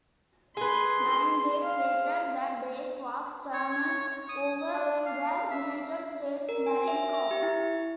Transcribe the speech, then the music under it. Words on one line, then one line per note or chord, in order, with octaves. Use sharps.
Nine days later the base was turned over to the United States Marine Corps.
G#4 B4 C6
F5
C#5
D#6
D4
F5
E5
A#4
G#5
E5
E5
G4
E4